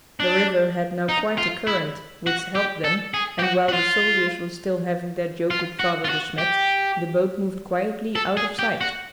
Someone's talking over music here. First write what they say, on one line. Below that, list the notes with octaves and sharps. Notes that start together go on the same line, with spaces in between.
The river had now quite a current, which helped them, and while the soldiers were still having their joke with Father De Smet the boat moved quietly out of sight.
D4
D#4
F4
E4
F#4
G4
A4
G#4
G4
F#4
F#4
F4
F4
F#4
F4
F#4
G4
A4
G#4
G4
F#4